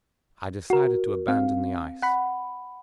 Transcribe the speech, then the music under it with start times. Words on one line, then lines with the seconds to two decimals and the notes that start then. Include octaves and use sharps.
I decided to abandon the ice.
0.70 F#4 A#4
1.28 C4 F5
2.02 F#5 B5